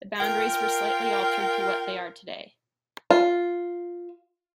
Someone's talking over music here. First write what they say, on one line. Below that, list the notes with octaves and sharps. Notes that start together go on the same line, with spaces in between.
The boundaries were slightly altered to what they are today.
F4 A#4 G5
F4